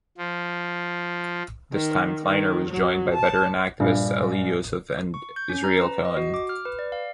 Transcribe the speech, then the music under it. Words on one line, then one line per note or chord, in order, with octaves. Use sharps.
This time Kleiner was joined by veteran activists Elie Yossef and Israel Cohen.
F3
D#3
D#3
F#3
A5
A#1 G2
C#6
G6
C#4
A#5
B4
D#5
F#4
D6
F6
B4
D5
F5